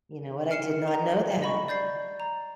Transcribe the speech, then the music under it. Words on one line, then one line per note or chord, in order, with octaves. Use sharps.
You know what? I did not know that.
F6 C7 C#7 E7
A#5
D#5 B5 C#6
D5 G6 A6 C7
A#5